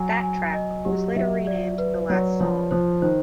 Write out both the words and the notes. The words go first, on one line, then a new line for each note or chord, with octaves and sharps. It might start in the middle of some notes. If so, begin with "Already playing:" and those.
That track was later renamed "The Last Song".
Already playing: F#3 G#5
G#5
D#5
F#3 G4
F#3 E5
D5
B4
F#3 C#5
F3 C#5
F3 C5
D#3 C5